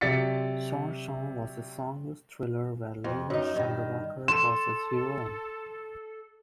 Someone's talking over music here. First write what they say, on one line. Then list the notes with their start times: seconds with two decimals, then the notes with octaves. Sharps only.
'Chor Chor' was a song-less thriller where Leena Chandavarkar was his heroine.
0.01 C3 F#3 D5 A6 B6 C#7
3.04 F2
3.30 F#2 D#4
3.56 G2 D#3
4.28 A4 C6 E7